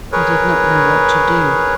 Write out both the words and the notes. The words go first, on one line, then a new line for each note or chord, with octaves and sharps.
He did not know what to do.
G#4 A#4 B4 C#5